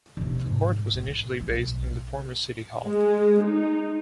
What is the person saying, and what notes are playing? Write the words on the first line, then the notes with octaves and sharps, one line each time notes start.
The court was initially based in the former city hall.
C3 B3
G#2
A2
B1
G#3
D#4